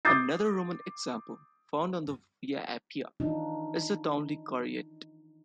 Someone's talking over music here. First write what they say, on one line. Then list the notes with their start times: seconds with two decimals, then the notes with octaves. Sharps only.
Another Roman example, found on the Via Appia, is the Townley Caryatid.
0.05 D6 D#6 G6 A6 C7
3.20 D#3 E3 D4 D#4 F4